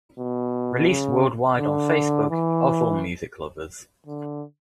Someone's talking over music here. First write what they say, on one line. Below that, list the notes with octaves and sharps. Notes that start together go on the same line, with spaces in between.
Released worldwide on Facebook of all music lovers.
B2
C#3
D3
E3
D3